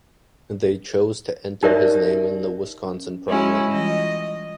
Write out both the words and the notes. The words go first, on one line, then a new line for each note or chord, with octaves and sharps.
They chose to enter his name in the Wisconsin primary.
D#4 G4 A#4 C#5 D5 E5
C#4
G#3 C#4 E4 F#4
E3 G3 F4 D#5